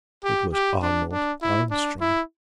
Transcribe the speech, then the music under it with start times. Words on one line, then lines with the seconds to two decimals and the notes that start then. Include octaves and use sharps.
It was Arnold Armstrong.
0.24 G4
0.53 G4
0.82 D4
1.12 D4
1.42 E4
1.71 D4
2.01 E4